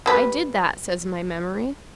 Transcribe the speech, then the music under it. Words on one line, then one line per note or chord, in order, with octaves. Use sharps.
"I did that," says my memory.
G3 B4